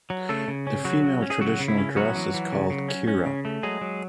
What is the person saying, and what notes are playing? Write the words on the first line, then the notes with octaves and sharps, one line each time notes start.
The female traditional dress is called kira.
F#3
C#3 A3 A4
C#3
C#4
C#3 F#3 F#4
C#3
C#4
G#4
C#3 F#3 F#4
C#3
E4
C#4
F#3 B3 F#4
E3
E3
C#3
C#3
C#4
C#4
C#3
A3
F#3 G#3 G#4
F#3